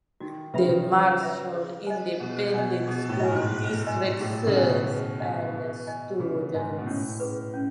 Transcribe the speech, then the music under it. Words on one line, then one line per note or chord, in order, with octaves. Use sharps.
The Marshall Independent School District serves area students.
D#3 F#4
C#3 B4 E5 B5
D#3
C#3
F#4
B4 E5 B5
G#4
D#5 G#5
B2 G#4
B2 D#5 G#5
B2 G#4
A2
D#5 G#5
G#2
G#4
D#5 G#5
A2 G#4
C#3
B2 D#5 G#5
G#4
D#5 G#5
G#4
D#5 G#5
C#3 G#4
G#2 D#5 G#5
B2
A2 C#4
G#4 B4
C#4